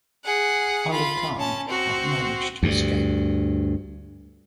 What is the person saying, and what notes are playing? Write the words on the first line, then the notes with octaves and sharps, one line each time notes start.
Ali Khan had managed to escape.
G#4 F#5
F4 B5
C#4 A5
C4 F#4
D2 G2